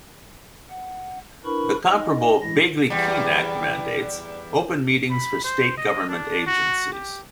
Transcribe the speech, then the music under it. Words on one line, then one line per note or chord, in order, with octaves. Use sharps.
The comparable Bagley-Keene Act mandates open meetings for State government agencies.
F#5
D4 E4 A#4 B4 B5 C#6
D#4 D#5
E3 G#3 E4 A#6
E2 G3
B5
C5
D#5
D4
F#4
G4